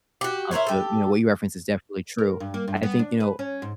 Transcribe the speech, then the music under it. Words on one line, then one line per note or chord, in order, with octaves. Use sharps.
Um, so, you know, what you referenced is definitely true. I think, you know,
F#4 G4
E4 A#4 C5 C#5
G4 A4
A#4
G2
A#3
G2
B3
D4
B4
C#4
G#2